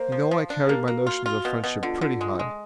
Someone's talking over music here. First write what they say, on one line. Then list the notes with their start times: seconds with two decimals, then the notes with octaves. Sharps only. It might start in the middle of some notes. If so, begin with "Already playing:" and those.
You know I carry my notions of friendship pretty high.
Already playing: A#3 C5
0.12 F3
0.31 F3
0.50 D4
0.64 G#4
0.69 A#3 G4
0.87 A#3 F#4
1.07 F4
1.26 F4
1.45 B2
1.64 B2
1.83 D3 F4
2.01 D3
2.21 G#3
2.39 G#3